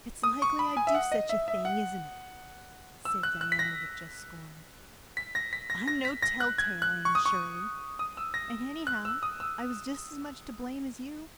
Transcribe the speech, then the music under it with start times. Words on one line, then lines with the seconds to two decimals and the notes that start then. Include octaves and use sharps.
"It's likely I'd do such a thing, isn't it?" said Diana with just scorn. "I'm no telltale, Anne Shirley, and anyhow I was just as much to blame as you."
0.23 D#6
0.42 C#6
0.59 B5
0.77 G#5
0.87 E5
0.95 F#5
1.12 D#5
1.29 E5
1.48 E5
1.65 F#5
3.05 E6
3.23 F#6
3.41 F#6
3.52 B6
3.59 A#6
5.17 B6
5.35 A#6
5.53 B6
5.70 A#6
5.88 A#6
6.05 B6
6.22 A#6
6.40 F#6
6.58 G#6
6.82 F#6
7.05 C#6
7.15 D#6
7.26 C#6
7.99 D#6
8.17 E6
8.34 A#6
8.87 F#6
9.05 E6
9.23 D#6
9.40 E6